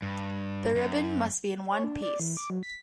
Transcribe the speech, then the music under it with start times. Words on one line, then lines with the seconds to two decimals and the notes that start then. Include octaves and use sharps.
The ribbon must be in one piece.
0.02 G2
0.75 F#2
1.71 C#5
1.84 D4
2.02 D5
2.20 E3
2.37 D6
2.50 F#3
2.63 B6